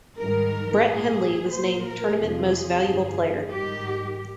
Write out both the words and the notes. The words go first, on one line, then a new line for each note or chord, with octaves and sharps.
Brett Hendley was named Tournament Most Valuable Player.
G#2 D#3 G3 A#4
A#2 G3 G#4
A#2 F3 C5
A#4
F2 C3 F3 G#4
G2 D3 F3
G#2 D#3 G3 G4